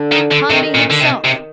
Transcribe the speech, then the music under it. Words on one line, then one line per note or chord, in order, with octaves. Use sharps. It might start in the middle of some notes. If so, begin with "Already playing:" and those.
Conmee himself!
Already playing: D3
D#3
D3
C3 D#3
A#2
D3
C3
C3